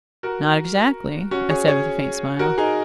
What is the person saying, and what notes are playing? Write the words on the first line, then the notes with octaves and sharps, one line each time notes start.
"Not exactly," I said with a faint smile.
F#4 A#4
C#4 F#4
G#4 C#5
G#4 C#5
F#4 A#4
D#4 G#4